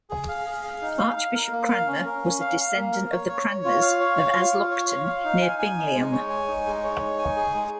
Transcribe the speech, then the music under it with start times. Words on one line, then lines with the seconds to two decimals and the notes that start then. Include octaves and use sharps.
Archbishop Cranmer was a descendant of the Cranmers of Aslockton near Bingliam.
0.10 G#4
0.28 F5
0.46 G#4
0.63 F5
0.82 D#4
0.99 F5
1.16 F5
1.35 A#4
1.52 A#3
1.70 F5
1.87 C#4
2.06 A#4
2.23 C#4
2.40 F5
2.59 F5
2.76 A#3
2.93 A#4
3.11 C#5
3.29 C#5
3.47 C#5
3.64 F4
3.82 F5
4.00 C#5
4.18 F5
4.36 F4
4.53 F4
4.71 C#5
4.89 F5
5.07 F5
5.24 D#4
5.42 G#5
5.59 G#5
5.78 D#4
5.95 G#3
6.12 C#5
6.30 G#5
6.48 D#4
6.66 G#3
6.84 C#5
7.02 D#4
7.19 G#5
7.37 G#4
7.54 G#3